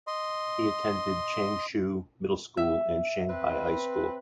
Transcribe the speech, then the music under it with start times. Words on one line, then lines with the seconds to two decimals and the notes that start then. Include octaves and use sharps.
He attended Changshu Middle School and Shanghai High School.
0.07 D#5 C6
2.57 E5
3.29 C4 B4